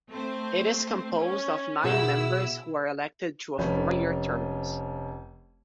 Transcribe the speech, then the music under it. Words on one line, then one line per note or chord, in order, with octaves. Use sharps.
It is composed of nine members who are elected to a four-year terms.
A3 C4 C5
C#4
B2 E4 G#4 F#5 E6
F1 F3 C#4 B5